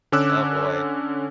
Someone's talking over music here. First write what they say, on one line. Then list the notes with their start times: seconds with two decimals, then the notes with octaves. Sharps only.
Oh, boy.
0.12 D3 C#4 D6 E6 F#6